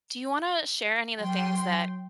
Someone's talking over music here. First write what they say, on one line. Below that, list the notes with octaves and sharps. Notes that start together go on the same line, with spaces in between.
Do you wanna share any of the things that
F#3 G5 C6